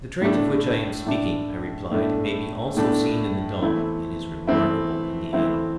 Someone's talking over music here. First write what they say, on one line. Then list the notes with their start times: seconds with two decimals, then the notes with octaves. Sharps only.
The trait of which I am speaking, I replied, may be also seen in the dog, and is remarkable in the animal.
0.21 A2 A3 D4
1.06 A2 A3 D4
1.91 A2 A3 D4
2.77 A2 A3 D4
3.62 E3 A3 C4 E4
4.47 E3 A3 C4 E4
5.33 E3 A3 C4 E4